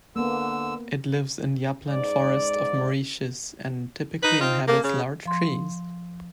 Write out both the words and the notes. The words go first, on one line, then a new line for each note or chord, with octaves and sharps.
It lives in the upland forest of Mauritius and typically inhabits large trees.
D3 A#3 B3 E6
G#2 D5
D#4 B4
C4 D#4 F4
A3 A#3
C#3
F3 C6